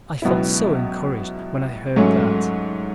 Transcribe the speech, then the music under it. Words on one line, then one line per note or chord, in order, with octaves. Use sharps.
I felt so encouraged when I heard that.
C#2 B2 F#3 B3 E4
G#2 F#3 A3 C#4